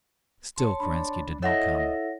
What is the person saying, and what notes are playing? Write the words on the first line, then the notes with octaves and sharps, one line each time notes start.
Still Kerensky did not come...
C#5 A5 C6
D4 B5
E4 A4 C#5 D#5 E5 F#5 A#6